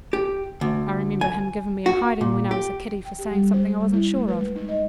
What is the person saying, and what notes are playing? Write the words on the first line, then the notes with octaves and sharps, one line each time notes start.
I remember him giving me a hidin' when I was a kiddy for saying something I wasn't sure of.
G4
D2
G#5
F#4
A#2
G4
G5
G4
G3
C5
G3
E4
A3
B4
G#3
D#4
D#5